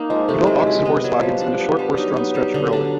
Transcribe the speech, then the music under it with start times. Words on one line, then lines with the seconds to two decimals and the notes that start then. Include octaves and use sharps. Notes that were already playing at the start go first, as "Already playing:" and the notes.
He built ox and horse wagons and a short horse-drawn stretch of railway.
Already playing: A#3 D#4
0.09 F3 G#3
0.28 C3 A3
0.47 F#3 G#3
0.67 E4
0.85 B3
1.04 F#3
1.22 F3 G3
1.41 D4
1.60 B3
1.79 G3
1.97 F#3 D#4
2.16 B3
2.35 G3
2.54 D3
2.73 D4